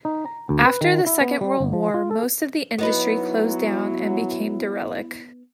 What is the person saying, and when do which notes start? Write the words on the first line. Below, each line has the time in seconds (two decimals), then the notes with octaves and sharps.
After the Second World War most of the industry closed down and became derelict.
0.05 D#4
0.26 A#5
0.49 D2
0.66 B4
0.81 D#3
1.06 E4
1.21 B3
1.41 G3
1.60 G1
1.73 F3
1.94 F4
2.11 A4
2.78 F#3 B3 D#4 E4 B4